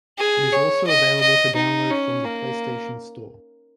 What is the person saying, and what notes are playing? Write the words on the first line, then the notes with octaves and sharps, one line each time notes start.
It is also available to download from the PlayStation Store.
G#4
C#5
D#5
D#5
D#4
C#4
A#3